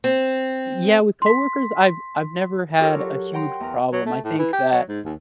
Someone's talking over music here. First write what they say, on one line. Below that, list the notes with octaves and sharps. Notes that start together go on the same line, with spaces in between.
Yeah, with coworkers, I've I've never had a huge problem. I think that
C4
C6 B6
F4 G4 A4 A#4 C#5
F#3
F#5 G5 A#5 C6
E2 A#4
F#3
A3
A2
E3
G4
F#3
G#2
D#2